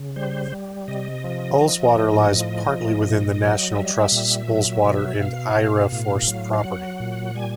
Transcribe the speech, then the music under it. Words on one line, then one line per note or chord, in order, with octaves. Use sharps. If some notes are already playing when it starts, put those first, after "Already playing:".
Ullswater lies partly within the National Trust's Ullswater and Aira Force property.
Already playing: C#3
G3 C5
G3
C3 D#5
F3
F3
A2
F3
F3
A#2
F#3
G3 E5
D#5
E5
A#2
F#3
B2
B2 F5
B2
A2
F#3
F5
F#3 F#5
A#2
G3 G#5